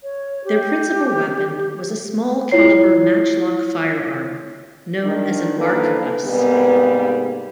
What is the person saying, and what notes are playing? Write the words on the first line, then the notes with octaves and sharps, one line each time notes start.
Their principal weapon was a small calibre matchlock firearm, known as an arquebus.
C#5
G4
E4 F4 C#5 C7
D#3 D4
E3 A#3 D4 A4 B4 C5
G#2 C3 G3 A#3 B3